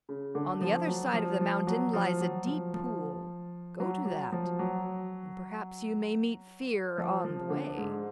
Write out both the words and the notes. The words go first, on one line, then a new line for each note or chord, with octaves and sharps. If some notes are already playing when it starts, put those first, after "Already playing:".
'On the other side of the mountain lies a deep pool; go to that, and perhaps you may meet fear on the way.'
C#3
D3
F3
F#3
F3
F3
F#3
F3
F#3
F3
F3
F#3
F#3
F3
F#3
F3
F3
D3
G#2